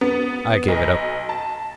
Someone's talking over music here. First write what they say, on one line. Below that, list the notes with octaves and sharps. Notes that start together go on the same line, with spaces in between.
I gave it up.
B3
B1
A5